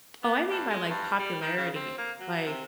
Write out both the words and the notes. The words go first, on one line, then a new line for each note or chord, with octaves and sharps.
Oh, I mean by, like, popularity. Like,
B3
G2
G#3
G2
G3
D#3
C#3
C4
A#3
F#3
C3